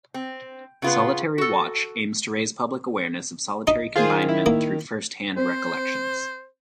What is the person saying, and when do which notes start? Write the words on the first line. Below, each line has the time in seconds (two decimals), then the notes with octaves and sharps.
Solitary Watch aims to raise public awareness of solitary confinement through firsthand recollections.
0.14 C4
0.82 C#3 B3 F4 G#4 B4
1.38 F#4 A4
3.67 D#4
3.96 D#3 F4 G#4 C5
4.29 E4
4.46 A#3
5.36 C4 C5